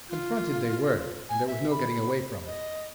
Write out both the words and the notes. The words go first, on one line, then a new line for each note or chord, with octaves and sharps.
Confronted they were, and there was no getting away from it.
F4
G#5
E5
B5
D#5